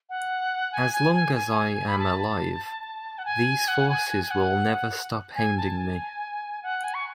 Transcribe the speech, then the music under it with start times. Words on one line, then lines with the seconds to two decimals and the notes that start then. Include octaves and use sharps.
As long as I am alive, these forces will never stop hounding me.
0.09 F#5
0.72 G#5
0.93 G#5
1.14 G#5
1.35 G#5
1.88 B5
1.99 A5
2.19 A5
3.18 F#5
3.25 G#5
3.68 F#5
3.89 G#5
4.10 G#5
4.26 G#5
4.30 F#5
5.35 G#5
5.58 A5
5.78 G#5
6.63 F#5
6.84 G#5
6.94 C#6